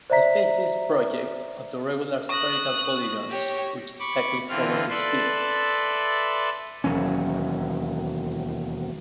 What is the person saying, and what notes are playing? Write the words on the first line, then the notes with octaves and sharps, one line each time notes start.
The faces project onto regular spherical polygons which exactly cover the sphere.
C5 D5 E5 A#5 B6
C#6 D#6 F#6 A#6
G4 C#5
B5 C#6 D6
D3 E3 C4 F4 F6
A4 B4 D5 E5 C6
E1 D#2 F#3 C#4